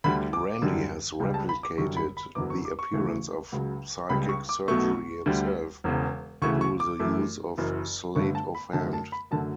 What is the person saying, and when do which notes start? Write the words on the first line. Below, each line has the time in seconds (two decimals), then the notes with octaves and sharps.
Randi has replicated the appearance of psychic surgery himself through the use of sleight-of-hand.
0.04 D2 D3 G3 B5
0.33 D6
0.62 F#2 D3 G3
1.20 C#2 C#3 G3
1.34 A5
1.49 B5
1.63 D6
1.78 F#2 D3 G3 C#6
1.97 B5
2.17 B5
2.35 F#1 E2 D3 F#3 D6
2.50 C#6
2.65 D6
2.79 C#6
2.93 D2 C#3 E3 A3
3.52 C#2 C#3 F#3
4.10 C#2 C#3 G3 B5
4.29 C#6
4.49 D6
4.68 B1 B2 F#3 A3 C#6
5.26 D2 D3 G3
5.84 E1 E2 C#3
6.42 D2 C#3 E3 A3 C#6
6.61 C#6
6.80 D6
6.99 F#2 E3 A3
7.57 F#1 F#2 E3
8.15 G1 G2 D3 A3 C#6
8.35 A5
8.55 B5
8.73 F#2 D3 A3 A5
8.93 A5
9.12 B5
9.31 F#2 D3 F#3 A3 A5